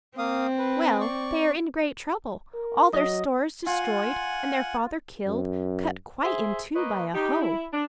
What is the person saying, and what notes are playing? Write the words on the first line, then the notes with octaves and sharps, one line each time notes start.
"Well, they are in great trouble; all their stores destroyed, and their father killed--cut quite in two by a hoe."
A#3 C4 F5 D#6
B4
D5 C#6
A#4
F#3 D#5
F4 F#5 G#5
F#2
G#4 C5 E5
A#3 B4 C#5 D#5
D#4 G4
E4
D4